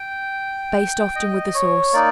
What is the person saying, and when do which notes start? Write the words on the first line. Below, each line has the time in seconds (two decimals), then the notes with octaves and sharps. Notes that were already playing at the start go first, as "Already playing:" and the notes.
Baste often with the sauce.
Already playing: G5
1.16 D#5
1.54 C#5
1.93 A#3 D#4 D5